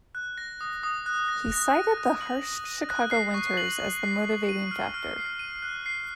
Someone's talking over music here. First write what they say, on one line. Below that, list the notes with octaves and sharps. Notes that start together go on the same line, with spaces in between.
He cited the harsh Chicago winters as the motivating factor.
F#6
A#6
D#6
D#6
F#6
A#6
A#6
D#7
F#6
F#7
A#6
D#7
F#6
C7
C#6
F#7
F#6
C7
C7
D#7
F6
F6
C7
D#7
F#6
C7